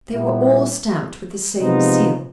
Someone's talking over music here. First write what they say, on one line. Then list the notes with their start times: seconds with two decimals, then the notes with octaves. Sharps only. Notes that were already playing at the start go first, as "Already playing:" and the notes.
They were all stamped with the same seal.
0.14 A#2 G3 B3 E4 G4
1.60 C3 F3 G#3 B3 D#4